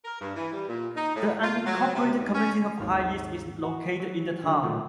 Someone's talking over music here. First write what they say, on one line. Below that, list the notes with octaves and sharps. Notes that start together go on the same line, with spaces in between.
The unincorporated community of Hayes is located in the town.
A#4
G2
E3
G3
A#2
D#4
A2
F4
F#3
C3
D#2
C#4
G#1 D#2 D#3 A#3 C#5 F5
F#4
F#3
D3 D#3 F#3
A#2 D#3 E3 F#3 A3